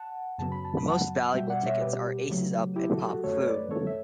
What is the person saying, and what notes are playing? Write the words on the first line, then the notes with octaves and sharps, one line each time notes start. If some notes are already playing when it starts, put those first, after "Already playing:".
The most valuable tickets are Aces Up and Pop Fu.
Already playing: F#5 A5
F#2 C#3 F#3 B3 A5
B5
A5
B5
F#5 A5
B2 G3 B3 E5 G5
D5 F#5
C#5 E5
G4 B4
C#3 F#3 A3
E4 G4
F#4 A4
G4
F#4 A4
F#2 D3 A3 A4 C#5
C#5
B4 D5
A4 C#5
E5